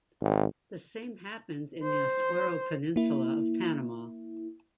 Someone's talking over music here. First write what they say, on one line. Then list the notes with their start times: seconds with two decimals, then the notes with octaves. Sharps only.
The same happens in the Azuero peninsula of Panama.
0.21 G#1
1.84 C5
2.96 A#3 E4